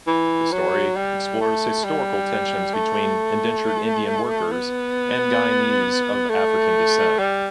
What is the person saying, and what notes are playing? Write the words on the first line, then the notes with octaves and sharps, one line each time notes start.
The story explores historical tensions between indentured Indian workers and Guyanese of African descent.
E3
F#3
G3
A3
G3
A3
B3
A3
G3